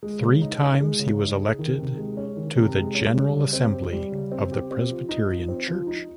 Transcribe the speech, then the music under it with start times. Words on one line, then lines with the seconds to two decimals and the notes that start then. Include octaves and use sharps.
Three times he was elected to the General Assembly of the Presbyterian Church.
0.03 G#3
0.21 C#3
0.41 D#4
0.60 G#4
0.80 G#3
0.99 C#3
1.19 D#4
1.38 G#4
1.59 D#3
1.78 C3
1.97 G#3
2.17 C#4
2.37 D#3
2.56 C3
2.76 G#3
2.95 C#4
3.14 G3
3.33 C#3
3.53 C4
3.72 G4
3.92 G3
4.12 C#3
4.32 C4
4.51 G4
4.71 C4
4.89 F3
5.09 D#4
5.29 F3
5.48 C4
5.68 F3
5.87 D#4